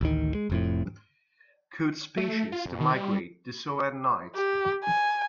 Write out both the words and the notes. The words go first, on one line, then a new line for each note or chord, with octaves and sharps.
Coot species that migrate do so at night.
A1 D2 D#3
G#3
F1 F2 A2
A3
F4
F2
D#3
G3
G4
G#5